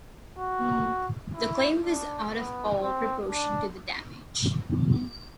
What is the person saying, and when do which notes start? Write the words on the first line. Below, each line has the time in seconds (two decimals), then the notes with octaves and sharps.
The claim was out of all proportion to the damage.
0.38 F#4
1.35 E4
1.85 D4
2.33 B3
2.82 C4
3.30 D4